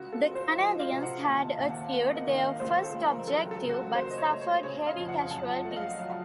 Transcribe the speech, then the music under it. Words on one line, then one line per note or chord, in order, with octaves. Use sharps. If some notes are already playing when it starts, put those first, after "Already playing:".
The Canadians had achieved their first objective, but suffered heavy casualties.
Already playing: C#2 F#4
A4
C4
C5
F3 D#5
F5
C3
F#5
D#2 A5
D#2 A5
F#5
A#3 F#5
D#5
D#3
F5
C#2 C5
A4
C#2
A#4
F#3 A4
A4
C#3
F#4
A4
F#1 C5
D#5
C#5
A3
C#5
C#3 C#5
F5
F2
F#5
F#2 A5
F#5
A3
D#5
F5
F#3 F5